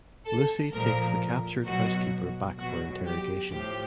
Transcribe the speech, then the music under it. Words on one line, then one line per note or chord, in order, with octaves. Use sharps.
Lucy takes the captured housekeeper back for interrogation.
A4
A#2 F3 A#4
B2 F#3 F#4
B2 F#3 F#4
G4
A2 F3 G4